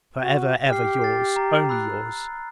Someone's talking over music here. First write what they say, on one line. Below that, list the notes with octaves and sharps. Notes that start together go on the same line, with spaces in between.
For ever, ever, your's, only your's.
F#4
G4 F6 C7
A6 C7
A#5
B5 E6 F#6